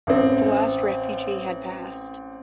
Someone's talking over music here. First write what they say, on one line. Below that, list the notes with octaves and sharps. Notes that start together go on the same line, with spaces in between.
The last refugee had passed.
A1 C4